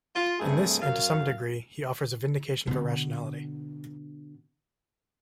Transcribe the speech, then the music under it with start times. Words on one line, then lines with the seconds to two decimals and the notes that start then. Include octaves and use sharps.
In this, and to some degree, he offers a vindication of irrationality.
0.15 F4
0.40 G2 C3 A3 G#4
0.82 F#2 F5
2.67 B2 D3